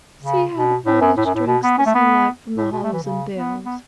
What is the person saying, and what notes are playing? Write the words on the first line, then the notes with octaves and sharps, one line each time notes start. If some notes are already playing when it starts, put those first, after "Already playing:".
"See how the foliage drinks the sunlight from the hollows and dells."
C#3
B2
A2
F#2
A2
F#2
A2
B2
B3
C#4
A3
B3
A2
B2
A3
E3
C#3
B3
B3